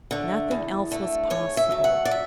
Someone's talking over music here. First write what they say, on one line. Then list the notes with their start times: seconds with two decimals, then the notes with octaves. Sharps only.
Nothing else was possible.
0.11 D3 A3
0.51 E2
0.91 D3 A3
1.30 G#2 C#5
1.57 E5
1.71 F#3 A3
1.84 F#5
2.05 D5
2.11 E5